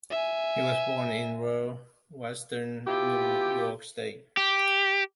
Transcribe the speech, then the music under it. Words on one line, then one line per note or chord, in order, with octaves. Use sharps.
He was born in rural western New York State.
E5 G#5
B2 E4 F4 G4
G4